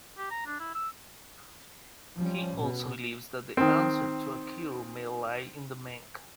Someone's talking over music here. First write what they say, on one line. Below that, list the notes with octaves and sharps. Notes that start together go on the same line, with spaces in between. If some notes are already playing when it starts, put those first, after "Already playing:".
He also believes that the answer to a cure may lie in the Menk.
G4
A#5
D4
E4
E6
F3 G3 C#4
B2
D#3 C4